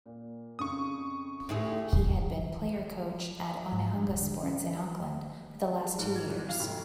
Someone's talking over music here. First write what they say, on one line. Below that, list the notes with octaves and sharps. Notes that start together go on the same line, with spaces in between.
He had been player-coach at Onehunga Sports in Auckland for the last two years.
A#2
F2 C#3 C#6 D#6
D2 A2 E4 G4 G#4
G#2
G2
D#1
D3
C#4
G#4
G#2
G#6
E2
F5
F1